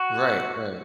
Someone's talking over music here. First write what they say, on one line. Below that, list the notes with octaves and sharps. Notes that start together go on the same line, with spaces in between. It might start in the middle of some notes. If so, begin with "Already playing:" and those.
Right. Right.
Already playing: F#4